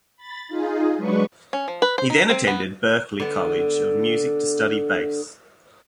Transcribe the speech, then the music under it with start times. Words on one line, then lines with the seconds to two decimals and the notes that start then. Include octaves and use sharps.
He then attended Berklee College of Music to study bass.
0.17 B5 A6
0.48 D#4 F4 G#4
0.96 F#3 G#3 D4 B4 C#6
1.53 C#4
1.68 F3
1.82 B4
1.98 C5
2.10 D#4
2.30 C4
2.47 B3
3.20 D3 B3